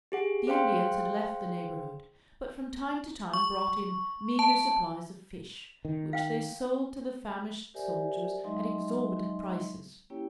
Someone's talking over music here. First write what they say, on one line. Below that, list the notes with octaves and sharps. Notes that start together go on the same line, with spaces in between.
The Indians had left the neighborhood, but from time to time brought in meagre supplies of fish, which they sold to the famished soldiers at exorbitant prices.
G4 G#4 F#5
G#4 C5 F5 G5 C6
C#6
A5
D#3
F5 G5
G4 A#4 C5 D5 E5 G#5
F#3 G#3 D#4 D#5 E5 C6
A#3 C#4 E4 G4 C#5 G5